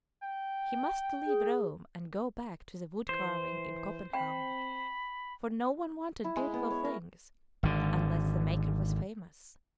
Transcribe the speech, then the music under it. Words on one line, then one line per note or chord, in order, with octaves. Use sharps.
He must leave Rome, and go back to the wood-carving in Copenhagen; for no one wanted beautiful things, unless the maker was famous.
G5
G#4
E3 C5
C4 G5 B5
E4
G#3
B3
C#5
A#4
G#1 D3